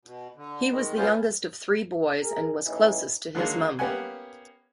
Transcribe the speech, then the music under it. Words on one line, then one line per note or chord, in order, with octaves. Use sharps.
He was the youngest of three boys and was closest to his mum.
B2
D3
D#3 G#3
F#3 G#3 B3 C#4 F4 C5
G#4 A#4
A1 E3 D#4
D3 D#3 F#3 G#3 A#3
A#3 B3 C#4 G4 F#5 G#5